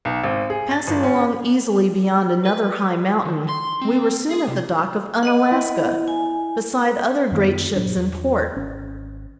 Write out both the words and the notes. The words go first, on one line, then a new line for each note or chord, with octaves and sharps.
Passing along easily beyond another high mountain, we were soon at the dock of Unalaska, beside other great ships in port.
B1
G#1
G#4
A6
G1
C#4
B4
D#3
C6
C4
G#4
C3
B3 D#5 F#5
E4
G#5
F#2 D#3 B3
G2 A#2 F#3 D4
E2
G#1 C#4